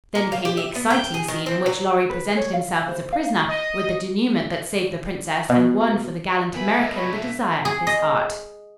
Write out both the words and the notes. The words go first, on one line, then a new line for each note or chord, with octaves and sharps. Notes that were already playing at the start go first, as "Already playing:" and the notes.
Then came the exciting scene in which Lorry presented himself as a prisoner, with the denouement that saved the princess and won for the gallant American the desire of his heart.
A#3
F5
G4
E5
B3
G5
G#4
D#3
C4
F#3
B4
C#5
F5
C5
F5
D#5
B2
G#2 B3 A#4 E5 G#5 B5
B1 A2 D#5
C#5 D#5 B5
A#2 D4 E5
G#4
D#5